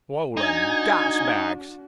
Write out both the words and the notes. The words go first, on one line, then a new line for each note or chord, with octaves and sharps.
Swollen gas-bags!
D4 D#4 F#4 G#5 G#6